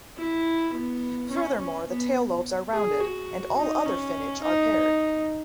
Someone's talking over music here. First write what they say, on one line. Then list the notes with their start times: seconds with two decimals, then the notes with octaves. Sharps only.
Furthermore, the tail lobes are rounded, and all other finnage are paired.
0.17 E4
0.73 B3
1.30 C#4
1.58 C#4
1.88 B3
2.72 G#4
3.00 F#4
3.57 D#4
3.86 C#4
4.42 D#4